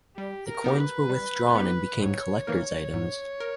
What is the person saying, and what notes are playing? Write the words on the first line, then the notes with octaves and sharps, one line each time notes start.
The coins were withdrawn and became collectors' items.
G3 G4
A#4
B3 D#4 G4
B4
G3
B3 D#4 G4
G#2 C#5
E3 A#3 D#4 A#4
G#2
A#4